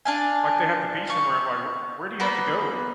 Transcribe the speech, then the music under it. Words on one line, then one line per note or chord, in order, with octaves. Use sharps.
like, they have to be somewhere, I'm, like, "Wher where do you have to go?"
D4 F5 G#5
F5 C#6
A#3 B3 C5 B5